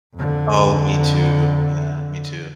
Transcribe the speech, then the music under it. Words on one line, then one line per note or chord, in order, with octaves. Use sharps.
Oh, me too. Yeah, me too.
F2 D3